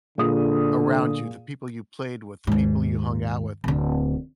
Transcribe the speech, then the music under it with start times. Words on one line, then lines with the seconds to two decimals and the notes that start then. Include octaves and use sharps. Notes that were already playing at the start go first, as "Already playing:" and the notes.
around you, the people you played with, the people you hung out with,
0.18 A#2 D3 G#4 D#6
2.47 D#2 G#2
3.64 D1 D3